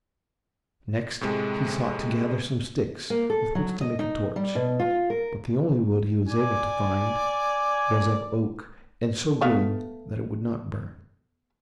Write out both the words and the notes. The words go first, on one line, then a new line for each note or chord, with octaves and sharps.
Next he sought to gather some sticks with which to make a torch, but the only wood he was able to find was of oak and so green that it would not burn.
A2 C3 G#3
A#3
A4
F#3
D#5
D#4
G3
B2
F4
A#4
D5 G#5
A3 B3 F5